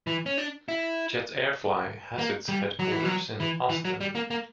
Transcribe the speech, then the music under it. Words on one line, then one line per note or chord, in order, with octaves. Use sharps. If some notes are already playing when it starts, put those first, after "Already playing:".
Jetairfly has its headquarters in Ostend.
E3
C#4
D4
E4
A#3
G3
F#3
E3
F#3
E3
E3
F#3
G3
A#3
A#3